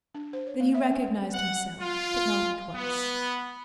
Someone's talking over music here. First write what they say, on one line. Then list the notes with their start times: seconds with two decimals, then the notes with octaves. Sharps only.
Then he recognized himself, but not at once.
0.15 D4
0.33 C5
0.47 C#5
0.60 A#3
0.75 E5
0.91 C#4
1.34 F#5
1.80 F4
2.74 B3